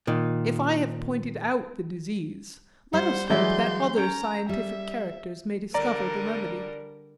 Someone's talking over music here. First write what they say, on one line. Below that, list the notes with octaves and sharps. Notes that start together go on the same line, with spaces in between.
If I have pointed out the disease, let us hope that other scientific characters may discover the remedy.
A#2 D#3
G3 C5 F#5
E3 F#3 G#3 G#4 D5 E5 C6 G6
C#4 A#5 G6 D7
G3 E5
D3 G3 A#4 D5 A#5